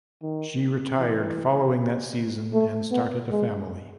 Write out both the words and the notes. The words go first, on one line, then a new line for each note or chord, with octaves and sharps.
She retired following that season and started a family.
D#3
E3
A3
B3
G#3